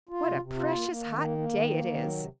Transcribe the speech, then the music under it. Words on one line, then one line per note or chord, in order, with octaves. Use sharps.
"What a precious hot day it is!"
F4
C3
C3
F4
A#3
A#3
D#3
A#3
A#3
D#3
A#3
D#3
F#3
C3